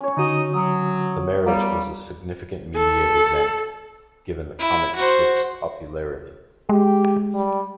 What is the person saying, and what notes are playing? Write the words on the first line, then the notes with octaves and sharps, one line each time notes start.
The marriage was a significant media event, given the comic strip's popularity.
C#4 C#5
D3 D#4 F#4 D#6
F#3 D#6
G3 A#3 B3 E4
A4
E4
F#4 C5
G#3 G4
G3